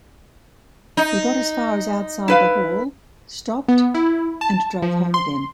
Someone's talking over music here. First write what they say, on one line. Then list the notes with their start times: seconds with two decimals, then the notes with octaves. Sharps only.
He got as far as outside the hall, stopped - and drove home again.
0.97 D#4
2.28 E4 B4 F5
3.68 B3
3.94 E4
4.41 A5
4.82 F3
5.14 C6